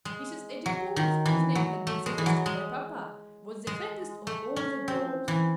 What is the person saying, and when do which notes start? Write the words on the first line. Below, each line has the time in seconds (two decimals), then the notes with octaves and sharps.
Mrs. Adipose, whose name had been suggested by papa, was the fattest of all the dolls.
0.05 G#3
0.66 F#3
0.96 D#3
1.26 E3
1.55 F#3
1.87 A3
2.06 G#3
2.18 E3
2.26 F#3
2.46 G#3
3.67 G#3
4.27 A3
4.56 C#4
4.88 C4
5.28 E3